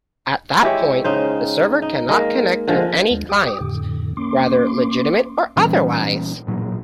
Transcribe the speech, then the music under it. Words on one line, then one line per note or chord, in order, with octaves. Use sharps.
At that point, the server cannot connect to any clients, whether legitimate or otherwise.
G#3 E4 G4 C#5
C#3 D#4 C5
D#4
G#3 A#3
D3 F3 G#3
D#2 G#3
G4 G5 D6 D#6
F2 A2 D3
A#3 C#4 C6 D6
A#2 E3 G3 C#4
A1 A#2 F#3